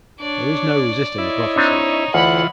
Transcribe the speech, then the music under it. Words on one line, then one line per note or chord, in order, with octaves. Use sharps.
There is no resisting a prophecy.
D4 C#5 D5
E4 C#5 D#5
C4 D4 D#4
D2 E3 F4 F#5 B5